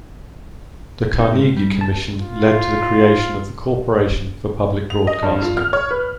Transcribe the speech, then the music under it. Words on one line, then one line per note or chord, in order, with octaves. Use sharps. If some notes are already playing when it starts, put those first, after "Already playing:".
The Carnegie Commission led to the creation of the Corporation for Public Broadcasting.
D#4
G#2
G3
A5
F4
F7
D#5
G2
F4
F6
C#5
B4